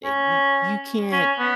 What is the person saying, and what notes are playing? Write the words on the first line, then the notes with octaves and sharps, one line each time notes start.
eh, y you can't
C#4
C#4
B3